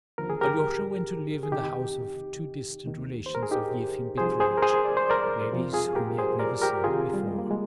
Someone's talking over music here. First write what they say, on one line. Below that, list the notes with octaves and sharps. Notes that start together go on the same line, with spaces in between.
Alyosha went to live in the house of two distant relations of Yefim Petrovitch, ladies whom he had never seen before.
D#2 D3 F3 A#4
G#4
G4 A#4
G#4
F2 C3 D#3 D#4 G4
D#2 D#3
C5
A#4
G#4
D#4 G4
C2 C3 F3 G#4 C5
G#4 C5
A#4
G#4 C5
D5
C5
A#4 D5
F2 C3 F3
F4 G#4
G4 A#4
G#4 C5
A#4 D5
G4 A#4
C2 C3 D#3 F4 G#4
G3
G#3
A#3
G#3